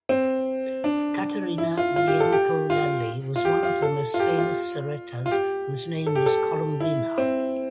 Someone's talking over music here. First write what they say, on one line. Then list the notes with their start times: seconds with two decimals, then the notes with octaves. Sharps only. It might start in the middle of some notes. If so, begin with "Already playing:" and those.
Caterina Biancolelli was one of the most famous serettas whose name was Colombina.
0.09 C4
0.84 D4
1.58 E4
1.77 F4
1.96 F4
2.07 G4
2.20 A4
2.32 G4
2.70 F4
3.36 F4
3.45 G4
3.63 F4
3.82 A4
4.14 F4
4.20 G4
4.38 F4
5.26 F4
5.31 G4
6.07 A4
6.15 G4
6.26 A4
6.80 E4
7.18 C4